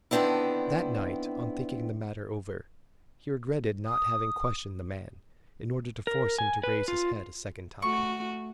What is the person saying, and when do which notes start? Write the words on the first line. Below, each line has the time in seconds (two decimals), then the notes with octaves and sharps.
That night, on thinking the matter over, he regretted not having questioned the man, in order to force him to raise his head a second time.
0.11 D3 D#3 B3 C4 D4 E4
3.86 D#6
6.07 A#4
6.38 G#5
6.63 B4
6.88 F4
7.82 A3 F#4 C#6